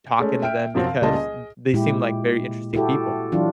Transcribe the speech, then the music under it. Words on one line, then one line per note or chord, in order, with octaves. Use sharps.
talking to them because they seem like very interesting people.
G#3 A3 C#4
E5 G5 F6 D7
F#2 C3 F3 F#3 C4
F5
C#2 G3 A#3 D#5 A5 C6
G#4 D#5
A#2 G#3 E4 G4
E4 F#4 G4 A4
E3 F#3 D4 F4